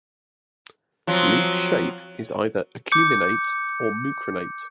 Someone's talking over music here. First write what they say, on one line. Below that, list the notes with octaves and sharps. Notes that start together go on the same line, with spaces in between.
Leaf shape is either acuminate or mucronate.
F3 F#3 C4
D6 G6 C#7